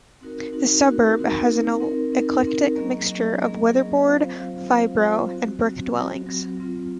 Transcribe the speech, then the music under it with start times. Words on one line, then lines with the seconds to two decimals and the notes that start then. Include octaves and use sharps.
The suburb has an eclectic mixture of weatherboard, fibro and brick dwellings.
0.21 C4 D#4 F#4 A#4
0.53 C4 D#4 F#4 A#4
0.85 C4 D#4 F#4 A#4
1.16 C4 D#4 F#4 A#4
1.49 C4 D#4 A#4
1.80 C4 D#4 A#4
2.12 C4 D#4 A#4
2.44 C4 D#4 A#4
2.76 F#3 A#3 C#4 G#4 D#5
3.08 F#3 A#3 C#4 G#4 D#5
3.40 F#3 A#3 C#4 G#4 D#5
3.71 F#3 A#3 C#4 G#4 D#5
4.03 F#3 C4 F4 C5 F5
4.35 F#3 C4 F4 C5 F5
4.66 F#3 C4 F4 C5 F5
4.98 F#3 C4 F4 C5 F5
5.30 F#3 C4 F#4
5.62 F#3 C4 F#4
5.94 F#3 C4 F#4
6.26 F#3 C4 F#4
6.58 F#3 C4 F4